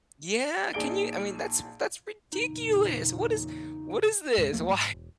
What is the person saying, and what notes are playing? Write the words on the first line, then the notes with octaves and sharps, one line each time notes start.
Yeah, can you I mean, that's that's ridiculous. What is what is this? Why
A#1 D#4 G#4 D5 D7 G7
E2 A#2 C#3 D#4
D2 G#2 C3 G#3
D2 F3 A3 A#3
G#2
E1